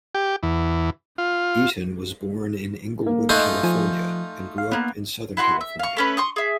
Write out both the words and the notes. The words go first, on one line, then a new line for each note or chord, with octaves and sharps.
Eaton was born in Inglewood, California and grew up in Southern California.
G4
E2
F4
A#3
G#3 A3 D#4 F4 F#6 G6
F3 G#5
F5
A#3 B3
E4 F#4 F#5 C6
E5
F5 C#6
A3 C#4 B4
C6 C#6 D#6
G#4 E5